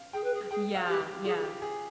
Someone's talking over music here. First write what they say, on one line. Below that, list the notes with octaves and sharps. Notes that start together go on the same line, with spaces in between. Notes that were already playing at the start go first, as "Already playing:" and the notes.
Yeah, yeah.
Already playing: F5
G#4 G5
B4
G#4
G#4 G5
F5
G4
G4
F4 G#4
G4
G#4